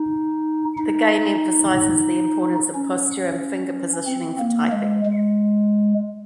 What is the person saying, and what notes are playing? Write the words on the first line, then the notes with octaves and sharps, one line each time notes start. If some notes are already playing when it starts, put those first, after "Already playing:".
The game emphasizes the importance of posture and finger positioning for typing.
Already playing: D#4
D#4
C#4
C4
A#3
G#3
G#3